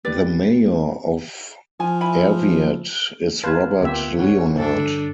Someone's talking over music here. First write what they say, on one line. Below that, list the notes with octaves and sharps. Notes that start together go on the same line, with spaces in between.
The mayor of Arviat is Robert Leonard.
G4 B4 D5
F3 G#5
E4 G#5 B5
B4 F5 A5 C6 F#6 G#6
D2 A#3 B3 F4 G4 E5
D2 E3 C#5 F#5
G2 D3 D4 A4